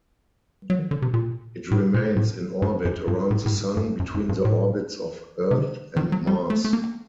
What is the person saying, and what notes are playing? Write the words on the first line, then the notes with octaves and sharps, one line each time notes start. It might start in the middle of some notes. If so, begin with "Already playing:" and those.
It remains in orbit around the Sun, between the orbits of Earth and Mars.
F#3
D#3
D3
C3
A#2
A2
A#2
A2
G2
F#2
G2
A2
A2
G2
G2
F#2
F#2
G2
A2
C3
D3
D#3
F#3
G3
A3
A3
A#3